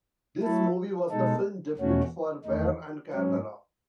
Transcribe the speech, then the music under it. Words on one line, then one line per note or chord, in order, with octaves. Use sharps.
This movie was the film debut for Baer and Carnera.
F#3 A3 E4 A4
B2 G#3 D#4 A4
E2 B2 A3 C#4 F#4
E2 D#3 A3 D#4
G#2 F#3 C#4